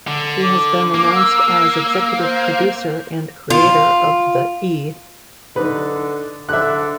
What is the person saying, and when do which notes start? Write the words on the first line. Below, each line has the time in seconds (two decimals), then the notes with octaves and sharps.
He has been announced as executive producer and creator of the E!
0.07 D3
0.42 D6
0.94 A#3
1.15 E6
2.18 C5
3.50 F4
5.56 D3 D#4 B4
6.49 D3 E5 F#6